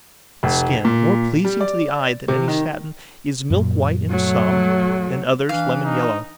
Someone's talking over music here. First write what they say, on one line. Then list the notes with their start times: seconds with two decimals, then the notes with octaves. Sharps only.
The skin, more pleasing to the eye than any satin, is milk-white in some, in others lemon-yellow.
0.43 F1
0.85 A#2
1.45 G3
1.61 D5
2.28 C3
2.48 D#3
3.50 F#2 A#2
4.10 F#3 A3
5.49 E3 D4 F5
5.85 D#4